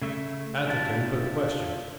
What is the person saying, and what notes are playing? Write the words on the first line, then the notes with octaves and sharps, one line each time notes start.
Atherton put a question.
C#3 A3 E5
D4 E4 F4 G4 A5